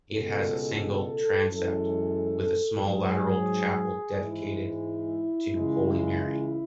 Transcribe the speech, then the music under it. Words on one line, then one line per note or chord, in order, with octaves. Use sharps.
It has a single transept, with a small lateral chapel dedicated to Holy Mary.
C#2 B2 G#3 A4
F#2 E3 G#3 A4
G#2 F#3 G#4
G#2 E3 G#3 E4
C#2 C#3 E3 G#3
E4